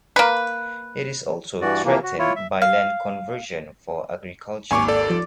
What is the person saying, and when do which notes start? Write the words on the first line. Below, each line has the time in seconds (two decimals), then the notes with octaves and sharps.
It is also threatened by land conversion for agriculture.
0.16 A#3 B4
1.61 G2 E3 F#4 D5
1.85 C3 E3 F3 A#3
2.03 F#4
2.19 E4 F4 C#5
2.36 E5
2.62 F5
4.71 G#1 D#2 G#5 C#6 D6
4.88 A4 D5
5.08 F3 A6